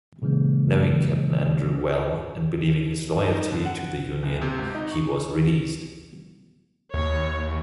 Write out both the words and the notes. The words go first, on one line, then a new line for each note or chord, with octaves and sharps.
Knowing Captain Andrew well and believing his loyalty to the Union he was released.
A#2 C#3 E3 G#3 A#3
D#4
D3
F#5
F#1
C3
G#1
D#4
C#6
D#2 C#5